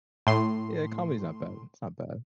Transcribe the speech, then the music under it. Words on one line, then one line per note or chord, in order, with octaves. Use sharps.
Yeah, comedy's not bad, it's not bad.
A2 C6